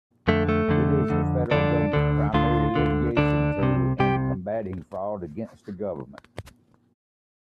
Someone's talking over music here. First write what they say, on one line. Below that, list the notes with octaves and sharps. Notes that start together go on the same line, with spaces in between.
It is the federal Government's primary litigation tool in combating fraud against the Government.
F2 D3 A3
A3
F2 D3
F2 D3
F2 D3 D4
D2 D3
D2 D3 F4
D2 D3
D2 D3 D4
C2 C3
C2 C3 G4